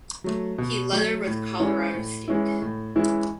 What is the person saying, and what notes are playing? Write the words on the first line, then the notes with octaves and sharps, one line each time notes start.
He lettered with Colorado State.
F#3 A3
B2
F#3 A3
A2
E3 G#3 C#4 E4
A2
E3 G#3 C#4 E4
A2
E3 G#3 C#4 E4